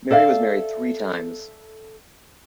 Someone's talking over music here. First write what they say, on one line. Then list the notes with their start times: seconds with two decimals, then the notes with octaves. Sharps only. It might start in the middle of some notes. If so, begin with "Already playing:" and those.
Mary was married three times.
0.11 A4 D5 E5 F5